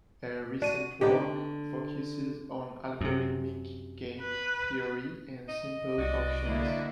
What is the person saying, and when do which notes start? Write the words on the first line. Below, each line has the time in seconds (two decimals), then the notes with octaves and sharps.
Her recent work focuses on algorithmic game theory and simple auctions.
0.62 D4 F#4 D#7
1.01 D3 B3 D#4 G4 D5
3.01 F#2 C3
4.21 B4
5.49 D#5
5.98 C2 C3 F#4 D5
6.44 D3 A#3 E4